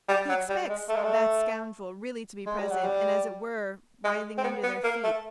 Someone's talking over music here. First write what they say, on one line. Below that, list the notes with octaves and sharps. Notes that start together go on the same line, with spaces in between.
He expects "that scoundrel" really to be present and, as it were, writhing under their feet....
G3
F#3
G3
G#3
A3
G#3
A3
G#3
G3
F#3
G3
G#3
C4
B3
B3
A#3
A3